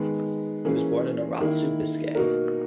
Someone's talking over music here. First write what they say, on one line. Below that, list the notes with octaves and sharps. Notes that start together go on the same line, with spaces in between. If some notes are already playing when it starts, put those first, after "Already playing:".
He was born in Arratzu, Biscay.
Already playing: D#3 G#3 B3
E3 A#3 C#4 G#4
D#3 A#3 E4
B2 A#3 D#4 F#4 A#4